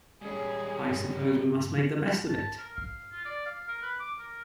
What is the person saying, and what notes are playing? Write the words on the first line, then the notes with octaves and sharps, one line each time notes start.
I suppose we must make the best of it!
G3 C#4 G#4
A5
A#4
F5
F4
D5
F5
A#4
B4
D6
A#4